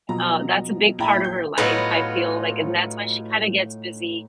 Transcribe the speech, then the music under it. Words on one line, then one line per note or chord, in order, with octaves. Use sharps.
uh, that's a big part of her life, I feel like and that's why she kinda gets busy
B2 F3 F#3 A#5
A#1 E4 G5 A#5 B5
G6
A2 F#3 B3 D#4 F4 B4